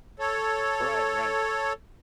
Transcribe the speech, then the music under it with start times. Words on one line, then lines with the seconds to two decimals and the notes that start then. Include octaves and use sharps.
Right, right.
0.19 A4 C#5